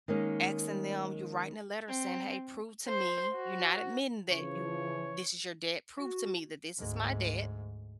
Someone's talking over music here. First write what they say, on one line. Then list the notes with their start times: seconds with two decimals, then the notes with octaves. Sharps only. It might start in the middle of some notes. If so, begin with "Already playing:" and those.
asking them you writing a letter saying, "Hey, prove to me you're not admitting that you this is your debt. Prove to me that this is my debt."
0.08 D#3 G#3 A#3 C#4
1.88 C4
2.89 C5
3.36 F#4
4.32 C#3 E3 F3 C#5
5.97 F#4
6.78 D2 G#2